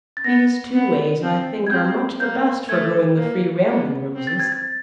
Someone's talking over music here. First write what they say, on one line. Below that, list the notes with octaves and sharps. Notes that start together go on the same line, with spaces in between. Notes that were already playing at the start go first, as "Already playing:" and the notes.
These two ways I think are much the best for growing the free, rambling Roses.
A6
B3 A#6
B3
C4
G#6
C4 G6
A#3 G6
A3 G#6
A#3
B3
C4
A6
G#6
A6